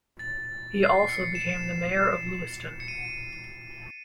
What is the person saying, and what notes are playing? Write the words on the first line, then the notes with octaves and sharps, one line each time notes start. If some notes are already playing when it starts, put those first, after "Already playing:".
He also became the mayor of Lewiston.
A6
C7
C#7
E7
C#7
D#7